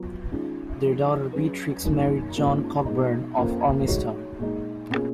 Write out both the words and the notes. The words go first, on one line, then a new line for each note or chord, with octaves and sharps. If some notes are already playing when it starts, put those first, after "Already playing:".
Their daughter Beatrix married John Cockburn of Ormiston.
Already playing: F#3 B3 F4
D#3 G#3 C#4 F4
F3 G#3 D#4
F#3 C#4 G#4 B4
F#2 D#3 A#3
G#2 D#3 A#3 C#4 F4
B2 G#3 D#4
F2 F3 A#3 C#4 F4
G#3 D#4 F#4 C#5
A#2 G#3 D#4
B2 A#3 C#4 F4 G#4